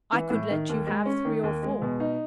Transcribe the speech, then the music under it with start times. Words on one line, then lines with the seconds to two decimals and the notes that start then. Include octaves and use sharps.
I could let you have three or four.
0.12 E3
0.30 A2
0.50 D#3
0.69 D#2
0.87 G#3
1.05 C#4
1.25 D#3
1.43 D#2
1.63 G#3
1.82 B2
2.00 D#4